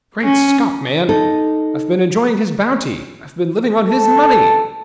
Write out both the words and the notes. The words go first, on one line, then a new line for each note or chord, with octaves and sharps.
Great Scott, man, I’ve been enjoying his bounty, I’ve been living on his money!
C#4
D#4 A4
A4